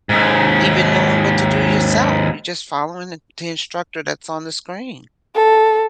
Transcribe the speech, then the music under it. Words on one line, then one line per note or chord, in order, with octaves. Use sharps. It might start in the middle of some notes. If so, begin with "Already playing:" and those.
even knowing what to do yourself. You're just following the t instructor that's on the screen.
D#2 G#2
A4